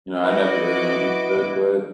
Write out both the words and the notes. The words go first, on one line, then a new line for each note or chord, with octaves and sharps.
You know, I never really understood, but
E4 F#4 B4 D#5 D6